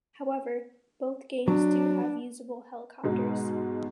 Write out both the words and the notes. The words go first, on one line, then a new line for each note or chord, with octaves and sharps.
However, both games do have usable helicopters.
F#3 D4
G#2 B2 G#3